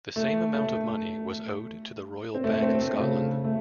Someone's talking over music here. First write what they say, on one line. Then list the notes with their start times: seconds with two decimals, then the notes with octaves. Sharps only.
The same amount of money was owed to the Royal Bank of Scotland.
0.16 A3
0.54 A3
2.34 C4
2.44 A3
2.62 C4
2.81 A3
3.00 C#3
3.44 A3